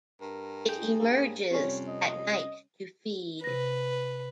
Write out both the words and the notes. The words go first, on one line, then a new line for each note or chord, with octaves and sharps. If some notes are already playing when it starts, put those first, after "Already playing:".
It emerges at night to feed.
G2 A#4
G#4 G5
G2 A#3
F2 C3 G3 C#4 C#5
D#5
C3 B4 A#6